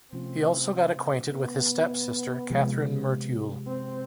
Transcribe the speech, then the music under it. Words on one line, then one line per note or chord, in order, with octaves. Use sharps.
He also got acquainted with his stepsister Kathryn Merteuil.
C3 F3 A3 C4 C#4 F4
B3
C3 F3 G#3
C4